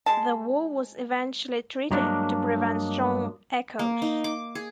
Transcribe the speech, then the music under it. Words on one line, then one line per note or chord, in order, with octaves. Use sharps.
The wall was eventually treated to prevent strong echoes.
G#3 A5
G2 F#3 G#3 A#3 D4
A#3
D#4
D6
G#4